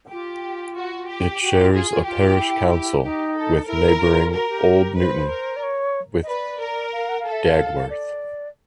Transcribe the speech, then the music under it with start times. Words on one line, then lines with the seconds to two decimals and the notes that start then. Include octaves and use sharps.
It shares a parish council with neighbouring Old Newton with Dagworth.
0.12 F4 G4
0.77 F#4
1.09 G4
1.42 F#4
1.58 F4
1.74 F4 G#4
1.91 F4
2.06 F4 G4
2.38 E4
2.71 G4
3.04 D#4 G4
3.37 A4
3.68 E4 A#4
3.85 E4
4.00 F4
4.33 F#4 A#4
4.49 G4
4.98 B4 C5
5.31 A#4
5.56 D5
5.63 C#5
6.23 D#5
6.28 B4 D5
6.60 A#4
6.92 F5
7.09 F#5
7.20 F5
7.25 A4
7.32 E5
7.44 F5
7.90 D5